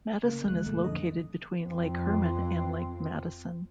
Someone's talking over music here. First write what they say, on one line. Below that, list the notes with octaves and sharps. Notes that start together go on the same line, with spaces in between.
Madison is located between Lake Herman and Lake Madison.
C#3 A#3
D#2 G#3 F#6
C#2 A#2 A3
F2 D3 D#5
F2 C4